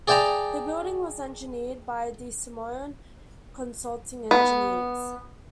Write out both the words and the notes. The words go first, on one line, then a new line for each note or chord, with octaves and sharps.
The building was engineered by DeSimone Consulting Engineers.
G#4 D5 E5 G5 A5 A#5
B3